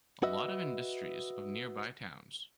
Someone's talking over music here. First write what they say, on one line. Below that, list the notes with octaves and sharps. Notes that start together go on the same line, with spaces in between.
A lot of industries of nearby towns.
F#4 B4 D#5 E5